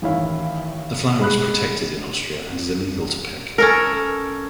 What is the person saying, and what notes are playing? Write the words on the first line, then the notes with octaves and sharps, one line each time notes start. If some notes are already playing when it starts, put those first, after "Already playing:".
The flower is protected in Austria and illegal to pick.
A1 D#3 E4 C#5 F5
G#3 B5 F#6
C#4 A4 A#4